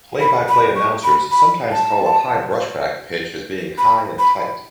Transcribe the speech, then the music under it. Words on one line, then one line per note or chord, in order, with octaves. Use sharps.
Play-by-play announcers sometimes call a high brushback pitch as being high and tight.
B5
B5
C#6
B5
B5
A5
B5
B5